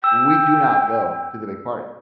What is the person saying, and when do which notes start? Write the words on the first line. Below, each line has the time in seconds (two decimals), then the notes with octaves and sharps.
We do not go to the big party.
0.04 G5 E6